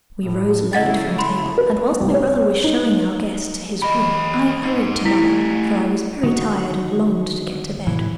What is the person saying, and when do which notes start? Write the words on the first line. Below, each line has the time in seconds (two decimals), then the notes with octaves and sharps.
We rose late from table, and whilst my brother was showing our guest to his room I hurried to mine, for I was very tired and longed to get to bed.
0.22 A2
0.73 C#3 F#3 G#3 A3 E4 D#5 F#5 A6
1.18 B5 C6
1.58 B4
2.00 C2
2.14 C#5
2.64 D#4
3.82 G4 D#5 B5
4.63 D#4 C5
5.05 A3 E4 G4 B6
6.23 D3 D#3 G3 D#4 F#4
7.87 A2 C3 E3 F#3